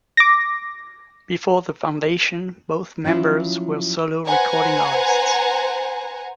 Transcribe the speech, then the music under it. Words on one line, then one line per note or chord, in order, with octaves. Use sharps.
Before the foundation, both members were solo recording artists.
D6 A#6
F3 F#3 C#4 E4 F4
B4 C5 F#5 G#5 A#5